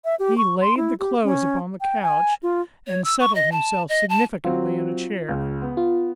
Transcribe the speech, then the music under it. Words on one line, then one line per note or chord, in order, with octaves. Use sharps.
He laid the clothes upon the couch--and settled himself significantly in a chair.
E5
G4
C#6
C6
E4
G4
C#4
G5
G#5
F4
C#5
E6
C#6
D#5
A5
D#5
A5
F#3 C4 F4
C#2 C#3
B3
F4